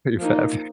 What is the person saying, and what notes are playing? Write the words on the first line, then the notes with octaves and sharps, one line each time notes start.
Pretty fast.
F3 A#3 D#4